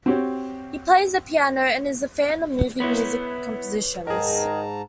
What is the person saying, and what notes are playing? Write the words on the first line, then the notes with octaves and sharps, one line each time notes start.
He plays the piano and is a fan of movie music compositions.
C4 F#4 G4 C#5
B3 E4 B4 C#5
G#2 D#3 G#4 A#4 A5 A#5